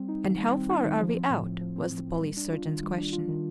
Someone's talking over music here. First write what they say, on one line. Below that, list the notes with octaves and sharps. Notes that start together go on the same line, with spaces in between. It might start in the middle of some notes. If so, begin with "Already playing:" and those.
"And how far are we out?" was the police sergeant's question.
Already playing: G3 C4
D#4
D#3
G3
C4
D#4
D#3
F3
C4
A2
A2
F3
C4
A2
A2
G3
D4
F4
D#3
G3
D4
F4
D#3